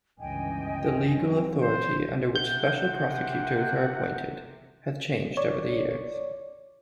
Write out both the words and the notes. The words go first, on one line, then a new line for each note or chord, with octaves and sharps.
The legal authority under which special prosecutors are appointed has changed over the years.
G1 C#2 E3 D#5 G5 G#5
E3 F#3 C4
C5
C3 F#5 G6
C#5 D5